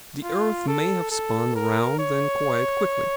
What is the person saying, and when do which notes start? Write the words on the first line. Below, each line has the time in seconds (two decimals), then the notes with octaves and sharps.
The earth may have spun round then quite quickly.
0.24 F4
0.68 A4
1.11 A4
1.56 A#4
1.99 C#5